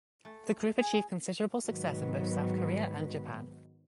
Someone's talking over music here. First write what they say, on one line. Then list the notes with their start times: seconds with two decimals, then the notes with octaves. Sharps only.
The group achieved considerable success in both South Korea and Japan.
0.25 A3
0.79 G#4
1.64 G#2 D#3 F#3 B3 B4